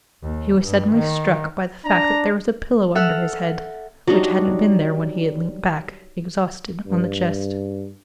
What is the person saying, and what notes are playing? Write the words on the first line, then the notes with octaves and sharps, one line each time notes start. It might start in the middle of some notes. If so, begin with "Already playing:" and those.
He was suddenly struck by the fact that there was a pillow under his head, which hadn't been there when he had leant back, exhausted, on the chest.
D#2
G2
D#3
D4 A#5
A4 E5 F#5 F6
F#3 G3 D4 D#4
G2